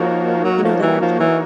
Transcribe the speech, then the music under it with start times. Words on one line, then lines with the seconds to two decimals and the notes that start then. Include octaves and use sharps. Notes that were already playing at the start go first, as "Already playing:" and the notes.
you know, that actually
Already playing: F3 A#3 D#4 F#4 A#4 C#5
0.45 F#3
0.63 F3
0.82 E3
1.01 F3
1.20 E3